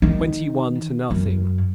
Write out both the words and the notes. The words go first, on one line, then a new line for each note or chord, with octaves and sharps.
"Twenty-one to nothing."
D#3
F#2